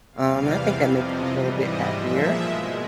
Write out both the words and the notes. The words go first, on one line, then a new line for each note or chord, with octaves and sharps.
um, and I think that makes me feel a bit happier,
E2 C3 E3 G3 F5
F2 C3 F3 E5
D#5
G#2 E3 G3 E5
D#5
A#2 F3 G#3 E5
B2 G#3 D#5